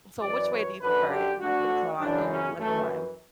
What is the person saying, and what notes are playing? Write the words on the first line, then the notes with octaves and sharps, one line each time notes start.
So, which way do you prefer it? Like, with the clamato or lemon lime?
F#2 E3 D5
C#5
F#2 D3 B4
G4
D2 D3 F#4
F#2 C#3 E3 D4
C#4
F#2 E3 A3